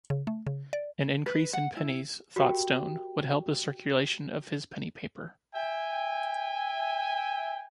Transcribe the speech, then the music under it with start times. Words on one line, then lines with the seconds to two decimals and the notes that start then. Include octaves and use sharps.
An increase in pennies, thought Stone, would help the circulation of his penny paper.
0.10 C#3
0.27 A3
0.47 C#3
0.73 D5
1.26 B4
1.53 F#5
1.77 E4
2.36 F#4 G4 A#4 G5
5.54 E5 G5 G#5